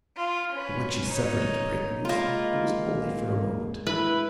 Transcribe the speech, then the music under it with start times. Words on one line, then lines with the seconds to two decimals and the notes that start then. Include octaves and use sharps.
But, when she suffered it to break loose, it was only for a moment.
0.17 F4
0.52 C#4 B4
1.07 D#4 C#5
2.05 G#3 A#3 F4 B5
3.87 E4 B4